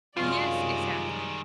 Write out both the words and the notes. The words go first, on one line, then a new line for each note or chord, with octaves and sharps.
Yes, exactly.
F#2 C3 D#3 G3 G#3 F4 D5